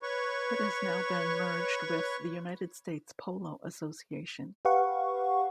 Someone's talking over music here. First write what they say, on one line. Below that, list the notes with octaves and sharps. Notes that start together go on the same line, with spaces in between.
It has now been merged with the United States Polo Association.
B4 C#5 C#6
G4 B4 F5 F#5 C#6